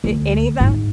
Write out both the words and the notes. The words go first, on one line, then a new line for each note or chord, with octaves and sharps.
A any of that?
D2
G#2